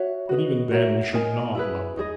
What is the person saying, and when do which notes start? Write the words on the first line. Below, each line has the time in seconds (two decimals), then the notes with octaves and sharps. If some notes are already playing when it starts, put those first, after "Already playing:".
But even then we should not love them.
Already playing: F#4 C#5 E5
0.29 F#4 B4 D#5
0.71 F#4 A#4 C#5 E5
1.13 D#4 A#4 D#5 G#5
1.55 E4 G#4 B4
1.97 D#4 G#4 D#5